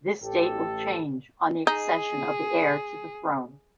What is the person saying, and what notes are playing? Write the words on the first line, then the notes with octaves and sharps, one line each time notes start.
This date will change on the accession of the heir to the throne.
A1 G4 A4
D#4 G#4